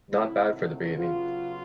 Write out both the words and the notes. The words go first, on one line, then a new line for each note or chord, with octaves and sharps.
Not bad for the beginning.
C3 D#3 F#3 A3 C4 E4
C#3 F#3 B3 F4